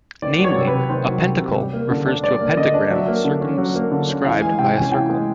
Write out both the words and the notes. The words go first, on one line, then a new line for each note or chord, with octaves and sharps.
Namely, a "pentacle" refers to a "pentagram" circumscribed by a circle.
D#3 D5
F#3
C#5
C3
B4
C3
D#3 C5
F#3
C3
C3
G3
A#3
D3
D4
G3 D5
A#3
D3 D#5
D4
F#3 E5
A#3
D3
C#4
F#3
A#3
D3
C#4
E3 F5
G#3 G#5
C3 G5
C#4 G#5
E3 G5
G#3